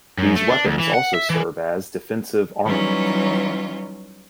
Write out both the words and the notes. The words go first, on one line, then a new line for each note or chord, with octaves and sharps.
These weapons also serve as defensive armament.
F#2
A3
D4
D2
E3
F#5
E5
E3
E3 F#3 G3 C#4 D#4 F4